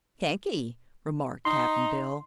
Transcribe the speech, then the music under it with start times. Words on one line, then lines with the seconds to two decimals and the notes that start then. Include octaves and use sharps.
"Thank'e," remarked Cap'n Bill.
1.45 D#4 C6